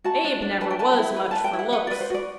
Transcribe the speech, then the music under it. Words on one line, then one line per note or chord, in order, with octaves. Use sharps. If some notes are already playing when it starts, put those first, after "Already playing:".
Abe never was much fur looks.
F#4 A5
D4
D4
B4 A5
G5
B4 A5
E4
B4 B5
A5
B4
G5
E4
F#5
B4 F#5
D5
B4
C5
F#4 D5